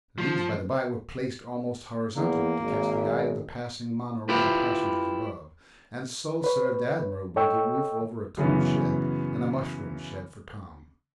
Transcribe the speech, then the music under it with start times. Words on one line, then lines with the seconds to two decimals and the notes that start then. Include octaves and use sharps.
These, by the bye, were placed almost horizontally to catch the eye of the passing mono-rail passengers above, and so served admirably to roof over a tool-shed and a mushroom-shed for Tom.
0.18 F3
2.17 E2 A#3
2.60 G#1
4.29 E4 F4 G4 B4
6.44 B4 C#5
7.36 A4 C#5 D#5 G5 C#6 E6
8.37 F#2 C#3 E3 B3 C#4